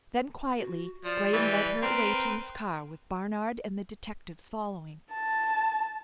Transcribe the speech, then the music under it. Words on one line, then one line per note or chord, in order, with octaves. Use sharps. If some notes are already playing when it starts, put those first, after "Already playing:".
Then, quietly, Graham led her away to his car with Barnard and the detectives following.
F#4
F3 D5
E3 G3
C4 A#4 B4
A5